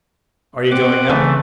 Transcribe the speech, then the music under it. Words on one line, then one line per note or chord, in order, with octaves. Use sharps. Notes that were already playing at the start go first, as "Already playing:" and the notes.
"Are you going up?"
C4 F#5 D6
C#3 E3 A3